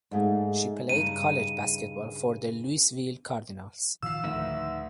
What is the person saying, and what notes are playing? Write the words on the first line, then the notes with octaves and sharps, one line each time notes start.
She played college basketball for the Louisville Cardinals.
G#2 A3 G#4
G2 C#3 D#4 D#7
A2 D#3 F3 F4 F5 E6
D2 D#4 B4 E5